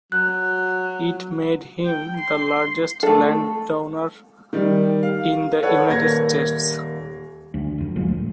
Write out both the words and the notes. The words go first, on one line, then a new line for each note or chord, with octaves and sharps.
It made him the largest landowner in the United States.
F#3 F#6
G5
C6
A3 A4
D#3 G3
F5
A4 B4 C#5 F#5
D#1 A#3 G#6 A#6
D2
E1 F2
G#1 F3 G#3 A3
D1